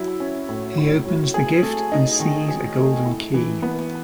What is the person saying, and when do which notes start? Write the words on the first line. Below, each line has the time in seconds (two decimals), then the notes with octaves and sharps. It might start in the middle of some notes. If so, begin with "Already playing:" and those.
He opens the gift and sees a golden key.
Already playing: F#3 E4
0.20 C#4
0.49 A2
0.78 E4
1.06 F#3
1.34 G#4
1.63 A3
1.92 D#4
2.20 D#3
2.48 G#4
2.78 A3
3.05 E4
3.34 E3
3.62 B3